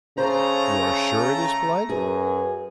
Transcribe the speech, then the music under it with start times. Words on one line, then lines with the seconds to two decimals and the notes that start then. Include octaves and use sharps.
"You are sure it is blood?"
0.18 C#3 A3 C5 A#5
1.89 F#2 G#4 B4